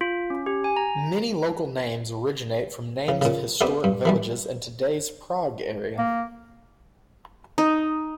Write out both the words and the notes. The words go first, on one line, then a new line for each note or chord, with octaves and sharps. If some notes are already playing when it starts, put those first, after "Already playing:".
Many local names originate from names of historic villages in today's Prague area.
F4
C#4
G4
G#5
A#5
C#3
A#2 C#3
A3 B3 C4 D4 G4
G2
D#3 E3 G3
A#3
D#4